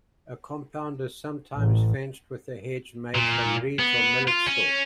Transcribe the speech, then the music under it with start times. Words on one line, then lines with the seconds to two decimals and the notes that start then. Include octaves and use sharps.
A compound is sometimes fenced with a hedge made from reeds or millet-stalk.
1.57 A1
3.15 A#2
3.79 B3
4.28 F4
4.46 C#4